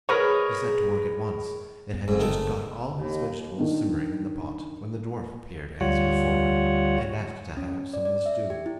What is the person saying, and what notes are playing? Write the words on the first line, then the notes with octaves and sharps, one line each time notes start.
He set to work at once, and had just got all his vegetables simmering in the pot when the dwarf appeared as before, and asked to have some of the stew.
G#3 G#4 A#4 B4 C#5
B3
F#1 F2 G#2
D#3 A3
D#2
D#3 D4
D2 G3 F4 C#5 F#5
C#4
D5
D5
E5
G4
E4